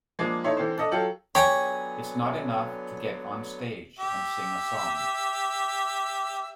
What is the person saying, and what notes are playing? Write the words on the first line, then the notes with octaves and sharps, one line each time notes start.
It's not enough to get on stage and sing a song.
F3 G#3 A#3 D4
D#4 E4 A4 C#5 E5 C6
D3 E3 C4 C5
D4 A4 D#5
F#3 F4 A4 G5 F#7
D3 F#3 B3 G4 C#5 G#5 A#5 B5
G4 E5